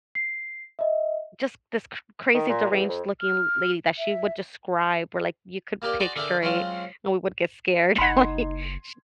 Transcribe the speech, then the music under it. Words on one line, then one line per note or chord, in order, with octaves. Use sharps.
just this cr crazy deranged looking lady that she would describe where, like, you could picture it, and we would get scared, like, she'd
C7
D#5 E5
D#3
A#2
E2
F2
F6
E5
A#3 G4 A#4 D5 D#5
F#4 G#4 D5 A#5 C6 D6
D3 G#4 A#4 E5 G5 D6
F#3 G#3 C4 C#4 F4
F#1 D#4 F#5 B5 C6 G#6